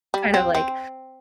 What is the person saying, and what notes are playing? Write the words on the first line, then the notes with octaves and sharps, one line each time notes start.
Kind of like,
G3
C4
C4